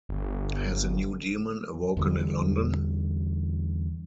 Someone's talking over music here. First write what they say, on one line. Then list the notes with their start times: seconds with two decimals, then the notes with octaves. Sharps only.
Has a new demon awoken in London?
0.09 G1
1.97 E2 D3 G3